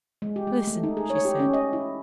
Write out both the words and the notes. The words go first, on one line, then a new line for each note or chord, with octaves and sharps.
"Listen," she said.
G#3
G4
G#3
A3
D#4
G#4
C#5
G4
C#4
D#5
E4